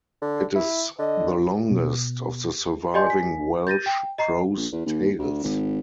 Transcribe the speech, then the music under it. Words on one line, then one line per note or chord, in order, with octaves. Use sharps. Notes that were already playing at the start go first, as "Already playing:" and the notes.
It is the longest of the surviving Welsh prose tales.
D3
E4
D3 D#5
B2 B3
G4 D5 D#5 G#5 C6 G6
G#5 B6
G6 A6 A#6 D#7
G5
D#5 A#5 C7
A#1
E2
D#2
D2
G#1